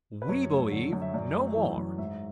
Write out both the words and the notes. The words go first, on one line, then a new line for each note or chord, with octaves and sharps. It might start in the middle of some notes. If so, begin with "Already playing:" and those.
We believe no more.
B4
F#2 C#5
A3
D3
F#2
E5
F#2 D5
A3
E3
F#2
G#2 E5